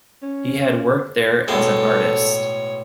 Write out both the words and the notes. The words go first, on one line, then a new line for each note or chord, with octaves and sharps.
He had worked there as an artist.
C#4
B1 A2 G#3 A4 C#5